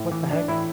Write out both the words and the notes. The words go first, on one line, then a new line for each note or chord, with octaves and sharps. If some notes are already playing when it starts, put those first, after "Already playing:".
What the heck?
Already playing: A2
E3
E3 D4
A2 E4